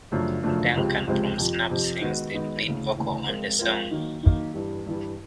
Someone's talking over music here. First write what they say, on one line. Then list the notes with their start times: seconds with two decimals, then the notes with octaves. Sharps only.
Duncan from Snuff sings the lead vocal on the song.
0.12 F#2 C#3 F3 A3 D4
0.43 F#2 C#3 F3 A3 D4
0.76 C#2 C3 F3 G#3 C4
1.07 C#2 C3 F3 G#3 C4
1.38 F2 C3 F3
1.70 F2 C3 F3
2.01 D#3 G#3 B3 D#4 F#4
2.34 D#3 G#3 B3 D#4 F#4
2.65 D2 C#3 E3
2.97 D2 C#3 E3
3.28 F3 G#3 C4 F4 A#4
3.59 F3 G#3 C4 F4 A#4
3.91 D#3 F#3 A#3 D#4
4.23 D#3 F#3 A#3 D#4
4.54 G2 E3 G3
4.86 G2 E3 G3